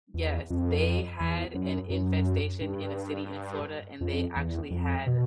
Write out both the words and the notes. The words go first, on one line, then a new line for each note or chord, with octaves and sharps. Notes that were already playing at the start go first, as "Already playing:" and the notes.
Yes, they had an infestation in a city in Florida, and they actually had
E2
F2
E2
F#2
F#2
G2
F2
E2
F2
B2